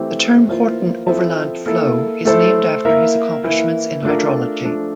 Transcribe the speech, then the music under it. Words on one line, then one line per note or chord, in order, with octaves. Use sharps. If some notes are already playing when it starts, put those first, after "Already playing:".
The term Horton overland flow is named after his accomplishments in hydrology.
Already playing: E3 A3 C4 G4
E3 A#3 F4 C5
F3 C4 E4 A4 E5
A#3 E4 A4
A3 E4 A4 C5
A#3 E4 A#4 E5
E3 A#3 E4
A3 D4 F4 A#4
F3 A3 D4